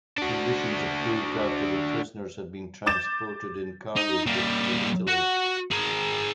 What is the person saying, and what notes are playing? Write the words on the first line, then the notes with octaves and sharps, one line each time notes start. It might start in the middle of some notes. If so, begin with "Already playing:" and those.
Conditions improved after the prisoners had been transported in cargo ships to Italy.
D4 F#4
D6 G6 A6 E7
D#4
G3 A#3
F#4 F#5
G#4 A#4